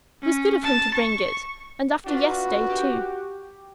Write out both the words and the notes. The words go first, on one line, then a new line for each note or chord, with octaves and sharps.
It was good of him to bring it; and after yesterday too!
C#4
A5
C#6
D4 F4 F#4 B4
G4